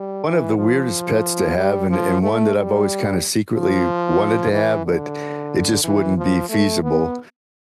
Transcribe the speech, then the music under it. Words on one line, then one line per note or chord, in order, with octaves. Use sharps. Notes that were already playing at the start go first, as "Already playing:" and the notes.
One of the weirdest pets to have, and and one that I've always kinda secretly wanted to have, but it just wouldn't be feasible,
Already playing: G3
E3
F3
G3
F3
A3
G3
F3
E3
D3
E3
F3
A3
B3